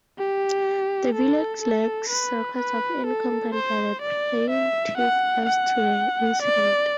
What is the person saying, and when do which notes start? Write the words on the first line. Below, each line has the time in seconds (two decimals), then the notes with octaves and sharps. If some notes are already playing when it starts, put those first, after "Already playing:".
The Village lacks records of any complaint by the Plaintiff as to the incident.
0.18 G4
1.15 A4
1.62 A4
2.10 B4
2.57 B4
3.06 A4
3.54 C5
4.02 D5
4.50 E5
4.97 F#5
5.46 F#5
6.42 D5